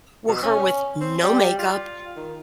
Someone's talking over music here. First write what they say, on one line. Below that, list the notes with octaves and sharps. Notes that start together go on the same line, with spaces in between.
were her with no makeup,
B2
C#4
C4
G3
F4
D#3